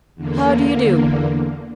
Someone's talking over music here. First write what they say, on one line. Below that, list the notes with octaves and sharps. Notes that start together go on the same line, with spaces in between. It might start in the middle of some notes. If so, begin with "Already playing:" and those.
How do you do?
E2 D3 A#3